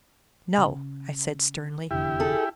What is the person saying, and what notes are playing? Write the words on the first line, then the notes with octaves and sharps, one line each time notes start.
"No," I said sternly.
C#3
F1 E2 D3 E4 G4
G#4 A4